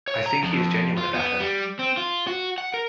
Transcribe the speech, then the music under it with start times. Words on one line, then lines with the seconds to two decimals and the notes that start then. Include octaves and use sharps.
I think he is genuine about her.
0.08 C#5
0.26 A#5
0.43 F2
0.98 F4
1.14 B3
1.40 G3
1.79 C4
1.97 F4
2.27 F#4
2.58 F#5
2.74 A#4